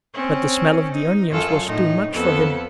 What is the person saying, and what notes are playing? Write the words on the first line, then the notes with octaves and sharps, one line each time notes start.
But the smell of the onions was too much for him!
C4 C#4
D#4
F#2 F4 A4
A2 D#4
F2 B3 A4